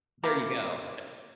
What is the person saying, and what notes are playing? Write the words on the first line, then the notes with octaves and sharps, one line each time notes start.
There you go.
A#3 E4 G4 A#4